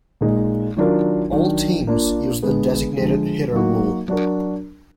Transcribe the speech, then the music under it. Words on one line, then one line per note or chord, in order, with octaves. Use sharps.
All teams use the designated hitter rule.
A#2 G#3 D#4
D#3 F#3 D4 F4 A#4
D#3 F#3 D4
A#3 D4 F4
D3 G#3 B3
D3 F3 G#3
F#3 A#3 D#4 F#4
F#3 D4 F#4 A#4